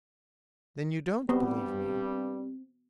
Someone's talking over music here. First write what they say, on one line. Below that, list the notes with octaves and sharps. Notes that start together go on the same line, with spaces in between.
"Then you don't believe me?"
G2 G3 B3 C4